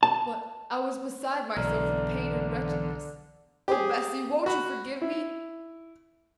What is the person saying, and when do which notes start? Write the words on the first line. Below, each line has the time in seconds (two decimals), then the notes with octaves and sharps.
But I was beside myself with pain and wretchedness. Oh, Bessy, won't you forgive me?
0.03 A5
1.57 B1 E2 D3 D5 A#5 F6
3.68 G4 G#4
4.46 F#4 B5
5.02 E4